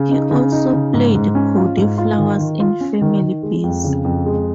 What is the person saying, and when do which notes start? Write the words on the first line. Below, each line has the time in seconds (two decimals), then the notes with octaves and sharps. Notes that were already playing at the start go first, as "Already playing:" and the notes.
He also played Cody Flowers in "Family Biz".
Already playing: C#3
0.11 D#4
0.31 C#3
0.52 D#4
0.73 C#3
0.94 G#2
1.15 G#2
1.35 C#4
1.56 F4
1.77 G#2
1.98 F4
2.18 D#3
2.40 D#3
2.60 F4
2.81 C#4
3.02 D#3
3.22 D#3
3.43 G#3
3.64 F2
3.84 C#3
4.05 F2
4.26 G#3